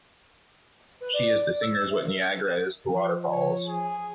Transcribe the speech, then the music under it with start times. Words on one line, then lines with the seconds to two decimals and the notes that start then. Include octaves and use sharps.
She is to singers what Niagara is to waterfalls.
1.00 B4
1.13 D5
1.62 E6
1.90 E5
2.04 A#4
2.93 F3
3.32 C#5
3.66 G#4